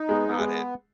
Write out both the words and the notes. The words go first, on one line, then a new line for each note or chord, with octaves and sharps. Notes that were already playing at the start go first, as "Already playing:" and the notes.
Got it.
Already playing: D#4
G#3 B3
B3
G#3